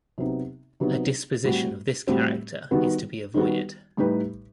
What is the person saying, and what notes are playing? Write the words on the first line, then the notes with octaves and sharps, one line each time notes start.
A disposition of this character is to be avoided.
C3 F#3 B3 D#4
C3 F#3 B3 D#4
A2 G3 C4 F#4
A2 G3 C4 F#4
D#3 G3 B3 F#4
D#3 G3 B3 F#4
A2 G3 D#4 G4 B4